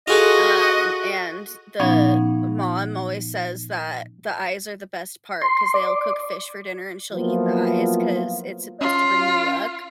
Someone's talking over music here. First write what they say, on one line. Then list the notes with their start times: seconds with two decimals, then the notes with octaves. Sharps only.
Um, and the mom always says that "the eyes are the best part" 'cause they'll cook fish for dinner, and she'll eat the eyes 'cause it's supposed to bring you luck,
0.08 F4 F#4 G#4 A4 D#5
1.80 A#2 F3 B3 C#4 D#4 F#5
5.42 C6
5.74 D5
7.13 F3 F#3 A#3 B3 E4 F4
8.81 C#4 F4